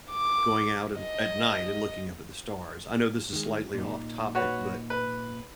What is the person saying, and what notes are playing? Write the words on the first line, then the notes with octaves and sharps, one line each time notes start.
going out and l at night and looking up at the stars, I know this is slightly off topic, but
D6
D#5
D#3 G#3
A#2 D#4
F#4 B4 C#5
B4